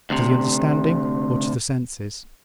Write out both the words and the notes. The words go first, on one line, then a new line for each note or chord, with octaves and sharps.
To the understanding or to the senses?
D2 C3